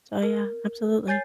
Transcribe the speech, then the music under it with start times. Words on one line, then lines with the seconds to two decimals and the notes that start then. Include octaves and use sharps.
So, yeah, absolutely.
0.23 A#4
1.07 C#5 G#5 G6 A6 C7